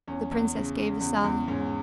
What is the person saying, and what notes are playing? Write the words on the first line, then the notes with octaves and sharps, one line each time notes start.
The princess gave a sigh.
E2 C#4
E2
C#3
C#3
E2
E2
G#2 C#4